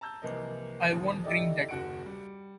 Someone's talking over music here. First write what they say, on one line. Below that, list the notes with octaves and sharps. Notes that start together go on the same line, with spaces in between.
I won’t drink that.
A5 A#5 E6 G6
C2 E3 F3 A#3 A#4 D#5
D#1 D#2 F3
D#4 E4 G4 A4 D5 D#5
F#1 D#2 F#4 C#7 D7
G3